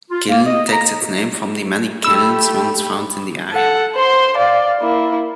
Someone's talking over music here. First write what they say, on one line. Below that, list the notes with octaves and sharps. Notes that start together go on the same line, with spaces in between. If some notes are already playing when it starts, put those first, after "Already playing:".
Kiln takes its name from the many kilns once found in the area.
F4
A#3
D#5
A#5
A3 G4 B5 E6
A4 F#5
C5 C6
D5 F5
A#3 E4